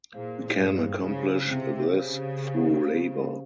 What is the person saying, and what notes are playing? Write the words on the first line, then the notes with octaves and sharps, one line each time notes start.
We can accomplish this through labor.
A#2 E4 G#4 C5 F5
G2
C#3 E4 G#4 C5 F5
C3
C#3 C#4 G4 C5 F5
C#4 G4 C5 F5